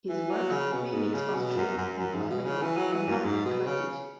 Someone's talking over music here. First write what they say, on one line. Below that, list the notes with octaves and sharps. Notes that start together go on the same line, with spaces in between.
His works, mainly expository and polemical, have not been collected.
E3
F#3
C#3
B2
G#2
C#3
B2
F#2
F#2
F#2
G#2
B2
C#3
E3
F#3
E3
F#2
G#2
B2
C#3